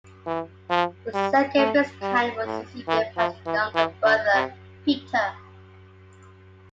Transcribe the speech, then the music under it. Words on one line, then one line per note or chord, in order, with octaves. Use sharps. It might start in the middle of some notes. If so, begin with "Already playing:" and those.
The second Viscount was succeeded by his younger brother, Peter.
E3
F3
G3
A3
G3
A2
E3
F3
E3
E3
D3
C3